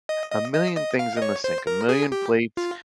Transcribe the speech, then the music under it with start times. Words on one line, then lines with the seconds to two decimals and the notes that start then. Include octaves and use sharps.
a million things in the sink a million plates,
0.09 D#5
0.31 D#5
0.54 D#5
0.77 D#5
0.99 F5
1.16 D#5
1.22 C#5
1.44 C5
1.67 A#4
1.89 G#4
2.12 G4
2.57 F4